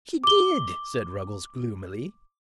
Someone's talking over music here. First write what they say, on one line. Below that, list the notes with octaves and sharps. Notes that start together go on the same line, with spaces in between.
"She did," said Ruggles gloomily.
D6 G7